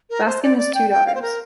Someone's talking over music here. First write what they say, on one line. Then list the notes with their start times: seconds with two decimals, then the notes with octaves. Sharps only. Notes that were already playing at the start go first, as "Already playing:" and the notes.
Baskin has two daughters.
0.10 A#4
0.26 C5
0.42 D5
0.58 D5
0.74 G5
0.90 G5
1.07 F5
1.15 C5
1.22 A#4